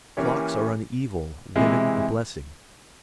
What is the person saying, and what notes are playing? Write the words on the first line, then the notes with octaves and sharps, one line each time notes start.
Clocks are an evil, women a blessing.
E3 A#3 C#4 G4 C#5
C3 E3 G#3 E4